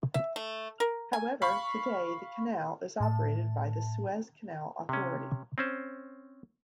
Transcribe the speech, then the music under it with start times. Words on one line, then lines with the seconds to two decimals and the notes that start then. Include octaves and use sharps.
However, today the canal is operated by the Suez Canal Authority.
0.14 E5
0.36 A3
0.80 A#4
1.13 G#5
1.42 F5 B5 C#6
3.00 A2 A5
4.89 C3 C#4
5.58 C4 C#4 C5